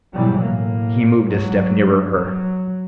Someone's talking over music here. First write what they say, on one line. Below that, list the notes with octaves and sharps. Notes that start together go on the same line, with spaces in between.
He moved a step nearer her.
G#2 B2 E3 F#3 G3
A2 A#3
G#2 F#3
F#3